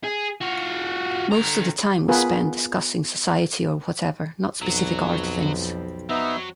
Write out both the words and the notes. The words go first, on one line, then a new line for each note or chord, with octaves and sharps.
Most of the time we spent discussing society or whatever, not specific art things.
G#4
F4 F#4
D3 A#5
B3 F4 G#4 A#4 B4
B1 F2 F#3 G3 C4
F#3 B3 D#4 E5